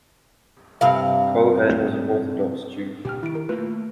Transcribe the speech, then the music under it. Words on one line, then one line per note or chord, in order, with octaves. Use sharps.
Cohen was an Orthodox Jew.
G2 C3 F5
A#2 G4 G5 F6
D#3 E4 D7
A#4
A3 A#3 F4 B4